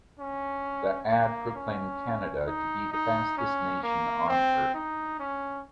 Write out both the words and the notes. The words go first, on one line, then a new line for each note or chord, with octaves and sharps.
The ad proclaimed Canada to be the fastest nation on earth.
C#4
A#3
C#4
D#4
D#4
C#4
A#3
C4
D#4
C#4